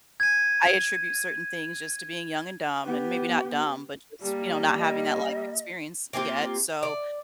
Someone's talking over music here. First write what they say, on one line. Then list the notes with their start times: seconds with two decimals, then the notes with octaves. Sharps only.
I attribute certain things just to being young and dumb, and maybe not dumb, but just, you know, not having that life experience yet, so,
0.20 G#6 D#7
2.84 B3 G4
4.22 G3 A#3 A5
4.78 D#5
6.13 A#3 C4 F4 G4
6.83 D5